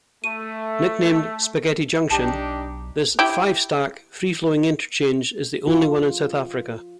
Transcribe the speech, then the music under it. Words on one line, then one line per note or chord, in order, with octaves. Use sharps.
Nicknamed "Spaghetti Junction", this five-stack free-flowing interchange is the only one in South Africa.
A3 D#7
B1 D4 D#4 G4 A5
E4 G4
F4